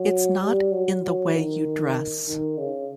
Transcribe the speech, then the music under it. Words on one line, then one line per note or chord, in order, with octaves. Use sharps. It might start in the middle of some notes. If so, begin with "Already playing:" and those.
It's not in the way you dress.
Already playing: F#3
G3
F#3
F#3
D#3
D#3
C#3